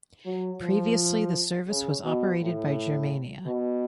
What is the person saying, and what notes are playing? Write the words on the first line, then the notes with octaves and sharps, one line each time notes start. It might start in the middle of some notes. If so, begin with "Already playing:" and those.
Previously the service was operated by Germania.
F#3
F3
C#3
B2
A2
B2